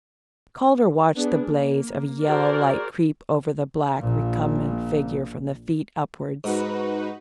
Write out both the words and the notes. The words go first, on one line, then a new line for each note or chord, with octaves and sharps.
Calder watched the blaze of yellow light creep over the black recumbent figure from the feet upwards.
B3 D4 G#4
A#3
F#4 G#4 A#4 C5 D5
A#1 A#2
G#2 D#4 F#4 B4